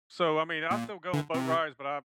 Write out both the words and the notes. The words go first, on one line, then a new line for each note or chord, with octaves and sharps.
So, I mean, I still go on boat rides, but I,
A#2
D3
C3